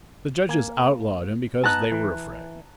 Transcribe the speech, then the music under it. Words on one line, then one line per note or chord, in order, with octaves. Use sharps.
The judges outlawed him because they were afraid.
A#3 G#5
B3 D#4 A5 A#5 F#6
E3